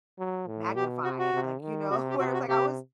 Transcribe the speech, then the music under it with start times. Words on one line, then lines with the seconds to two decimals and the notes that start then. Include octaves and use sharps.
magnified, like, you know, where it's like I was
0.18 F#3
0.47 A2
0.75 B2 G4
1.04 C3 F#4
1.19 F#4
1.33 C3
1.62 D#3
1.91 C3 F#4
2.10 G4
2.19 C3 F#4
2.34 F#4
2.48 C3 G4